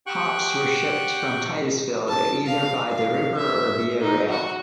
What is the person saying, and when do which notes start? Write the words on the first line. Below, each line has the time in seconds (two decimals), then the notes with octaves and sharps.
Hops were shipped from Titusville either by the river or via rail.
0.07 G4 F#5 G5 C#6 F#6
2.08 A5
2.46 F5
2.89 F5
3.37 E5
4.01 D#4
4.30 F#4